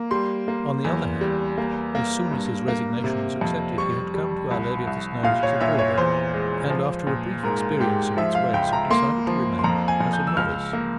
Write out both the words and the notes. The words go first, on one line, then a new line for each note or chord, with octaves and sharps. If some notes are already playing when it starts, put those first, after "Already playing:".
On the other hand, as soon as his resignation was accepted, he had come to Our Lady of the Snows as a boarder, and, after a brief experience of its ways, had decided to remain as a novice.
Already playing: A#3
G3 C6
A#3
E2
G3
A#3
A#3
G2
A#3
C3
F2
G3 C#6
G3
C2
C2
A#2 F5
C#5
A#2 E5
C#5
E2 C5
G#3
F3
A#2
G#2 A#4
G#2 G4
F3 E5
F5
C#2 G5
A#5
A#3 C6
F3
C6
F2 A#5
G#5
F2
G6
E6
C#2 F6
A#3